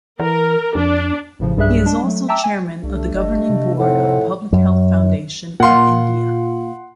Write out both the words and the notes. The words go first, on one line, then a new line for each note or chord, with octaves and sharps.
He is also Chairman of the Governing board of Public Health Foundation of India.
E3 A#4
F2 D4
A1 A2 C#3 F3
B1 G2 G3 G#4 E5 F#6
G#3 D4
F#3 A3
E5 G5 A5 A#5 D6 E6
G#5
C2 G3 A3 D4
G1 D#5
C3
F2 A2 C4 D#4 F#5
F#2
A#2 F4 F#5 C6